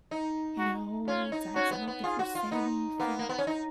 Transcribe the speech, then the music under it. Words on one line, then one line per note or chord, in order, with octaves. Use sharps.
you know, it's I s I don't think we're safe," and
D#4
F#4
C#4 F4
D#4
C#4 F#4
B3
B3
F4 G#4
F#4
F4
B3 D#4
A#3 B3
A#3
B3
C#4
D#4